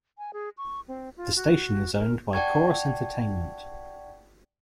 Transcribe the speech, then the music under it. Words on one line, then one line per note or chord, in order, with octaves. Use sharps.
The station is owned by Corus Entertainment.
G#5
G#4
C#6
C4
F4
F#4
A#4
D5 F#5 G5 A5 C#6 G#6